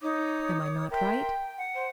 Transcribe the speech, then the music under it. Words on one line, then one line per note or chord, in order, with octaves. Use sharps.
Am I not right?
D#4 C#5 D6 D#6
A#4 E5 G5 C6
F#5
C5